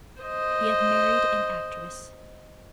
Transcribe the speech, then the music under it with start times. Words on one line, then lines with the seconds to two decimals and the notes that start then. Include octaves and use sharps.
He had married an actress!
0.22 C5 D#5